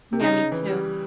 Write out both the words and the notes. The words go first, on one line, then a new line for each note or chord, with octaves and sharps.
Yeah, me too.
C3
C#3 D#4
E3
G3